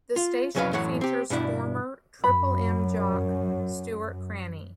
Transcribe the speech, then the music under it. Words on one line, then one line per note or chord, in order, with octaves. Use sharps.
The station features former Triple M jock, Stuart Cranney.
F4
C2 F2 F#3 C#4 B4 F5
F#2 A2 E3 C#5 F#5
C4 G4
G2 B2 D4 E4
F#2 B5